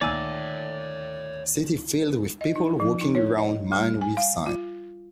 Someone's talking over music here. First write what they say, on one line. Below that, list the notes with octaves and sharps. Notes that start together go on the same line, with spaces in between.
City filled with people walking around man with sign.
D2 A#2 D#3 C#5 D5 E5 G#5 E6
D#5
D#4
F3
D#4
C#5
D#5
G3
G#5
F5
F4